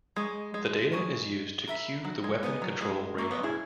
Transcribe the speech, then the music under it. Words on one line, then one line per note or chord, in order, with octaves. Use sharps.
The data is used to cue the weapon control radar.
G#3 G#4 D#5 A#5 C#6
G#3
A#4 C#5 G#5 D#6
A#4 E5 B5
F#3
G#3
B3 D#4 G#4 D#5
F#3
G#3
A#3 C#5 E5 A#5
B3
E4 G#4